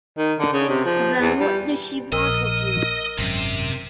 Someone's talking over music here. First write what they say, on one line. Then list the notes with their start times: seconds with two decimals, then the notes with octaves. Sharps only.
Then what does she want with you?
0.18 D#3
0.39 D3
0.53 C#3
0.69 C3
0.85 F3
1.21 E2
1.40 G3
2.12 A#1 A#4 D#5 E6
3.19 G#1 F#2 C3